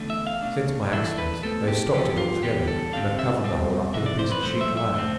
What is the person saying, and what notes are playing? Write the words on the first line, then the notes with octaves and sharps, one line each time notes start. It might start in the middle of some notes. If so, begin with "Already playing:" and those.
Since my accident they have stopped it altogether, and have covered the hole up with a piece of sheet iron. . . .
Already playing: E2 D3 A3
E5
F5
B2 A3 D4
A2 E3 A3 D4 E5
B4
B2 A3 C4 A4
G4
E2 D3 F3 G4
F4
E2 D3 G3 G4
A4
D3 G3 C4 F5
E5
B2 G3 C4
F2 C3 E3 E5
D5
C5
B4
G2 F3 A3 C5
E5
E5
D3 A3 C4